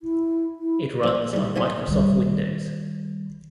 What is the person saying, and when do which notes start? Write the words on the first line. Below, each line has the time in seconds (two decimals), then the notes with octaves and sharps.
It runs on Microsoft Windows.
0.02 E4
0.60 E4
1.04 F3 G#3
1.33 D#3 G3
1.56 B1 G#2 A3 G#5
1.87 D#3 G3